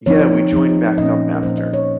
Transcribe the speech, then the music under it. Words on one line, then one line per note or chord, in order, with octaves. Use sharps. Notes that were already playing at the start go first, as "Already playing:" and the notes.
Yeah, we joined back up after.
F3 C4 D#4 C#5
F3 C4 D#4
A#2 F3 A#3 C#4 D#5
A#4
A#2 F3 A#3 C#4 C5
D#5
C#5